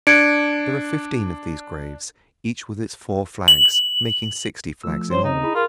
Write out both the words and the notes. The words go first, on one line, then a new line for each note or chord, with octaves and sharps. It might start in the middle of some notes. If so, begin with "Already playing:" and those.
There are fifteen of these graves, each with its four flags, making sixty flags in all.
D4 G#6 C#7 D7
F#7
F3 A3 E6
F#2 F3 C#4 C5 C#5
C#3 C4 D#4
E4 G#4 B5
F4 A#4